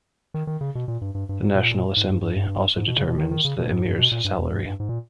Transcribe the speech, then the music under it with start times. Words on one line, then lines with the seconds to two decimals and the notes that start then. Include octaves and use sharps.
The National Assembly also determines the Emir's salary.
0.34 D#3
0.47 D#3
0.61 C#3
0.75 B2
0.88 A#2
1.01 G2
1.15 G2
1.29 G2
1.42 G#2
1.55 A#2
1.97 G#2
2.10 G2
2.22 G2
2.36 G2
2.77 G#2
2.87 B2
2.98 C#3
3.08 B2
3.18 D#3
3.31 D#3
3.45 C#3
3.58 B2
3.71 G#2
3.85 G2
3.98 B2
4.12 A#2
4.25 G2
4.38 E2
4.52 G2
4.65 G2
4.80 G#2
4.89 A#2